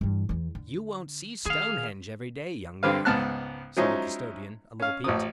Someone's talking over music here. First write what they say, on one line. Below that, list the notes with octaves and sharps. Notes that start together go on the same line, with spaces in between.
"You won't SEE Stonehenge every day, young man," said the custodian, a little piqued.
G2 E3
E2 E3
D3
D#3 G#4 F5
G2 D3 C4 B4 F5
C#2 G#2 B3 A5 F6 F#6
F3 F#3 G#3 C#4 D#4 E4
C#4 F5
A1 F3 D#6